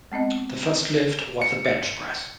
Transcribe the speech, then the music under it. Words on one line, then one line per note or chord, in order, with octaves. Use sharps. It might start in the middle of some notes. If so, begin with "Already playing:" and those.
The first lift was the Bench Press.
G#3 B3 C4 D#5
C#7